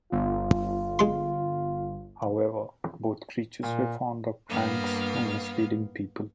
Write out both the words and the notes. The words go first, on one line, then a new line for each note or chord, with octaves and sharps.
However, both creatures were fond of pranks and misleading people.
G1 F4
G#3 C6
A#2
G2 A#3 B3 F5